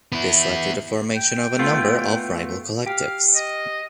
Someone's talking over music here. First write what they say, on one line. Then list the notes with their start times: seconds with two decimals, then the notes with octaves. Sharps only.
This led to the formation of a number of rival collectives.
0.12 B3 E4
1.16 G5
1.59 A3 B3 F4
2.86 G4 F5
3.36 D#5